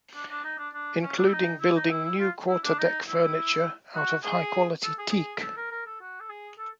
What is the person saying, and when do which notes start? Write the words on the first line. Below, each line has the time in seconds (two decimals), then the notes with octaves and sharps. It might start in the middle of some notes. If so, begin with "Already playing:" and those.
Including building new quarter deck furniture out of high quality teak.
0.15 D4
0.30 D4
0.44 D#4
0.58 D4
0.74 D4
1.03 C#4
1.18 D4
1.26 E4
1.33 D#4
1.61 E4
1.77 D#4
1.90 E4
2.05 E4
2.20 F4
2.49 E4
2.64 D4
2.79 D#4
3.08 E4
3.95 F#4
4.25 G#4
4.84 A4
4.99 G#4
5.12 G#4
5.42 A4
5.57 A#4
5.71 A#4
5.86 A4
6.01 F#4
6.20 A4
6.30 G#4
6.59 A4